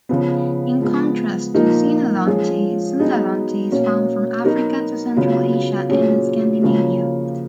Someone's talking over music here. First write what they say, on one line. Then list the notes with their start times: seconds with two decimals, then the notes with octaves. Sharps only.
In contrast to sinodonty, sundadonty is found from Africa to Central Asia and Scandinavia.
0.09 C#3 F3 B3
0.82 F3 G#3 B3
1.54 A#2 F3 A#3 D#4 A#4
2.27 F3 G#3 C#4 F4 G#4
2.99 F#3 B3 D#4 G#4
3.72 B2 A#3 C#4
4.44 F#3 B3 D#4 F#4 A#4
5.17 C#3 F#3 B3 F4
5.89 A#2 F#3 C#4 G#4
6.62 C#3 F3 A#3 C#4 F#4